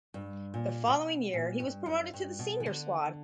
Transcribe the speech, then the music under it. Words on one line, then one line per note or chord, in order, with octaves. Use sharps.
The following year, he was promoted to the senior squad.
G2
A#2
A#2
B2
A#2
G2
F#2
G2
B2
E3
D3